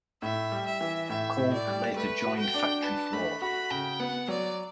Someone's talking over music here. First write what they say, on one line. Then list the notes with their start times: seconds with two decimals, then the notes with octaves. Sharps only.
Colk later joined Factory Floor.
0.22 A2 E5
0.52 G3
0.66 E5
0.81 E3
1.09 A2 E5
1.38 A2
1.53 D5
1.67 G3
1.96 A3 B4
2.26 F#4
2.40 G5
2.54 D4
2.83 B4 A5
3.13 A3 B5
3.42 F#4 B5
3.70 C#3 G5
3.99 B3 F#5
4.28 F#3 D5